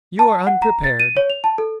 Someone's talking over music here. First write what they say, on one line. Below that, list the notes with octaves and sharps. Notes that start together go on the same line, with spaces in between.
You are unprepared.
A5
F#5
A#5
A6
D#7
C#5
F7
A5
A4